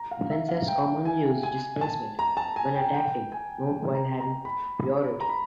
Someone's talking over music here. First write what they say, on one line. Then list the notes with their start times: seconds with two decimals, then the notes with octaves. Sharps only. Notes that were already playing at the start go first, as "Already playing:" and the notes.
Fencers commonly use displacement when attacking while not having priority.
Already playing: A#5
0.11 F5
0.30 E5
0.49 F5
0.68 G5
1.05 G#5
1.43 G#5
1.81 A5
2.19 A#5
2.37 A5
2.56 G#5
2.75 G5
2.94 G5
3.32 G#5
3.95 A#5
4.20 A#5
4.45 B5
5.20 A#5
5.29 B5